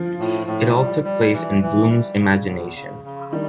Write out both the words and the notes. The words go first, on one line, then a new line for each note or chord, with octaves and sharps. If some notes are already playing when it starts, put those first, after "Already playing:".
It all took place in Bloom's imagination'.
Already playing: F3 F4
A2
A2
G3
G3
E3
E3
G3
C#3
E2
C#3
C#3
D#3 G3 D#4